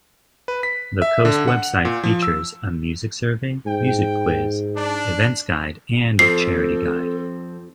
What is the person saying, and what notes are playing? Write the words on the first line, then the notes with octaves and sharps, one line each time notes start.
The Coast website features a music survey, music quiz, events guide and charity guide.
B4
B6
E5
D3
F#5
A#2
F3
E6
G#2 G5
D4
F2 F3 C4 A4 C7